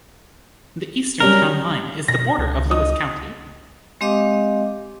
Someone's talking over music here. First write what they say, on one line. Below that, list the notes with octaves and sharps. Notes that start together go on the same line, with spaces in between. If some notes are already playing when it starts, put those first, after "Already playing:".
The eastern town line is the border of Lewis County.
F#3 G3 C#4 A#4
B2 A#6
C#2
D#4 D#6
G#3 C4 G4 D#5 F5 D6